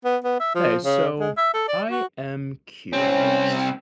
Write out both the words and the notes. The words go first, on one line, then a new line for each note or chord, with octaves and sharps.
Hey, so, I am curious.
B3
B3
E5
F3
C#3
G#3
E5
A4
D5
F#4
C2 C4 C#4